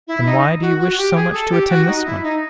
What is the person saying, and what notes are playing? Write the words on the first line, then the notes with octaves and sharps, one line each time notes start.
"Then why do you wish so much to attend this one?"
E4
D#4
F#4
F#4
F#4
G4
G#4
A4
G4
F#4
D#4
E4
D#4